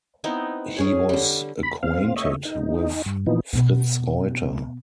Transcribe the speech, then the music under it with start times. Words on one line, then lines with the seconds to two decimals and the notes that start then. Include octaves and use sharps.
He was acquainted with Fritz Reuter.
0.24 B3 C4 D#4 E4
0.77 C#4 G#4 C#5
1.09 D3 G3
1.63 B5
1.83 C4 F5
2.16 C#5 D#5 E5
2.45 D#4
3.06 G2
3.26 A#2 E3 F3 B3 D#4
3.53 B2 B3